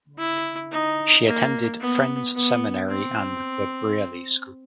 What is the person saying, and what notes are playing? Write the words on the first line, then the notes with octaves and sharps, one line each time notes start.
She attended Friends Seminary and the Brearley School.
E4
D#4
A#3
B3
B3
C4